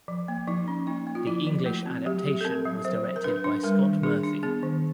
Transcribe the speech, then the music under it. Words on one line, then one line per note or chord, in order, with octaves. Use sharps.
The English adaptation was directed by Scott Murphy.
F3
A#3
F3 D#4
C#4
A#3 D#4
A#3
F4
F3 E4
F3
A3 F#4
C4
F#3 G4
F#3
A4
C4 A#4
F#3
F#3 C5
F#3
A#4
D4 B4
D4
G3 A#4
D#3
D4 G#4
D4
B3 G#4
D#3